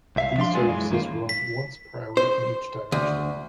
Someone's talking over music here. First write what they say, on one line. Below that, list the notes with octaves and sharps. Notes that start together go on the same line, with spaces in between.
These services run once per hour in each direction.
C2 E5 F5
F3 D4 F5 C6
G#3 A3 B3 D4 F4 G#4
F#2 E3 G#3
F#2 D#3 A#3 F4
B6
C5
D2